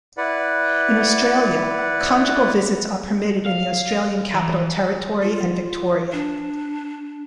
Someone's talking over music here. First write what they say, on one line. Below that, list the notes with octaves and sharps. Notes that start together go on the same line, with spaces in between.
In Australia, conjugal visits are permitted in the Australian Capital Territory and Victoria.
E4 B4 D5 F#5
F5
E3
F4
D4